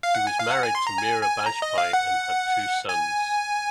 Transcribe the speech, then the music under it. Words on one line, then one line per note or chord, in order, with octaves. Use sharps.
He was married to Meera Bajpai and had two sons.
F5
F#5
G#5
F5
F#5
G#5
C6
A#5
G#5
G#5
A#5
D#5
F5
F#5
G#5